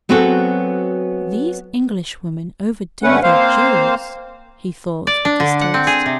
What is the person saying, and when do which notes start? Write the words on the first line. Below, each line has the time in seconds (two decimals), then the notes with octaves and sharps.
"These Englishwomen overdo their jewels," he thought, with distaste.
0.09 F#3 B3 C4 F#4 G#4 A4
3.03 G2 D3 A3 C#4 B4 F#5
3.23 A#3 C4 C5 F5
5.07 D5
5.25 D4
5.40 D3
5.61 F#5
5.74 C4
5.87 G#4
6.06 C3